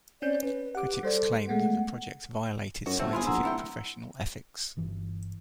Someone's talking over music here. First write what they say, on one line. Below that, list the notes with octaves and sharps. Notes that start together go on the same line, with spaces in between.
Critics claimed that the project violated scientific professional ethics.
C4 C#4 D5 G6
C#4 B4
G4 F#5 D6
G3 A4 C5 D5
G#3 A3 B3 F#5
F#2 F#4
G1 A3 C4 F#4
G1 E4 F4 G#4 C6
A#1 F#5 A#5 E6
D1 D3 E4 G5
G1 E3